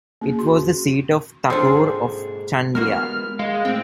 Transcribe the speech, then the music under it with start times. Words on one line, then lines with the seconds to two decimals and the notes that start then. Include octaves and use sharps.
It was the seat of Thakur of Chandia.
0.21 A#3 C#4 G#4
0.39 F#4 C6
1.50 G#2 C4 D4 F4 G#4 A4
2.75 G#3 A#3 B3 F4 F#4 A#4 F6
3.39 G#3 G#4 F5
3.65 A2 C4 G5